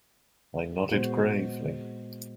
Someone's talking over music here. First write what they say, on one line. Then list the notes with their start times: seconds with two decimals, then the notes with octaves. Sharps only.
I nodded gravely.
0.92 A#2 G#3 B3 F#4 C5